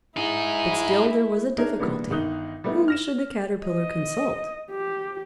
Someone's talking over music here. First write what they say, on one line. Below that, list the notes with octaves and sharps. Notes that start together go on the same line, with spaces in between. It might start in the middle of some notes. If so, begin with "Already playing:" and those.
But still there was a difficulty--whom should the Caterpillar consult?
D#4 E4 G#4
D4 D#4 G#4 A#4 C#5 E5
E3 G3 G#3 A#3 B3 D4
G1 D#3 D#4 D#6 F#6 G7
G3 A3 B3 D#4 E4
F6 A#6 E7
D#5
G4